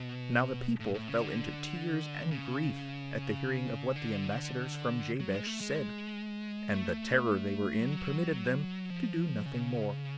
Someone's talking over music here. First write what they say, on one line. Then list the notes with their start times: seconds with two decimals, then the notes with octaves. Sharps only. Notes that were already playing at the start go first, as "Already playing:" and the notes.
Now the people fell into tears and grief at the hearing of what the ambassadors from Jabesh said; and the terror they were in permitted them to do nothing more.
Already playing: B2
0.80 A2
0.94 A2
1.08 C#3
1.21 D3
2.31 C#3
3.96 D3
5.20 F#3
5.34 G#3
5.47 A3
5.61 G#3
6.70 A3
7.80 F#3
8.90 F3
9.46 C#3